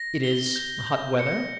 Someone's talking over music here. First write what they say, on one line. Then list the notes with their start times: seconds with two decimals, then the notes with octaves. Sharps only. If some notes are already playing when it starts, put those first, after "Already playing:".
It is hot weather.
Already playing: A#6
0.23 G7
0.56 G6
0.87 G6
1.19 C#7